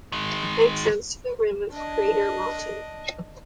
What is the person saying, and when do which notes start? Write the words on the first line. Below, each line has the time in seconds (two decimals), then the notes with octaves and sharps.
It extends to the rim of the crater Moulton.
0.12 D#3 G#3
1.72 D4 D#5